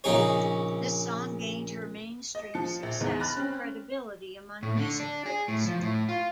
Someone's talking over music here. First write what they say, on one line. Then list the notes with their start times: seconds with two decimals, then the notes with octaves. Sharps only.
This song gained her mainstream success and credibility among music critics.
0.04 A#1 C#3 D#4 G#4 C#5
2.35 D#5
2.54 F3 C#7
2.83 A#1
3.01 E2 G#2
3.20 B5 F6 F#6 A6 A#6
3.37 C4 C#4
4.63 A2
4.77 D3
5.00 D4
5.26 G#4
5.48 A2
5.67 F3
5.82 A2
6.09 F4